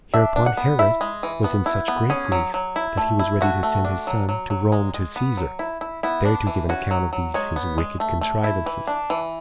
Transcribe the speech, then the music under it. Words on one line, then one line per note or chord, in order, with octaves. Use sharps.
Hereupon Herod was in such great grief, that he was ready to send his son to Rome to Caesar, there to give an account of these his wicked contrivances.
D4 E5
D4
F#5
B3
E4 E5
G#3
E3
B3
E4
B3
C#4 G#4
F#3
F#3
E4
A3
E4
A3 F#4
A3
D4
F#3
F#3
F#3
G#3
G#3
B3
F#3
E4
E4
B3 E4
D4
E3
C#4 F#4
F#3
F#3
G#3 C#5
B3
G#3
A3
A3
E4
E3
D4
E3